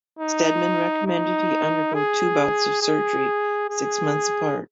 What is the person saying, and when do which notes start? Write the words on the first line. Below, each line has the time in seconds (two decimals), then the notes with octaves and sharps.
Steadman recommended he undergo two bouts of surgery six months apart.
0.19 D#4
1.06 D#4
1.94 G#4
2.82 G#4
3.69 G#4